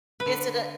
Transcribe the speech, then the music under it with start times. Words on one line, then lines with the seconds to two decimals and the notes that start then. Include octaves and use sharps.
Is it a
0.20 B4
0.26 D3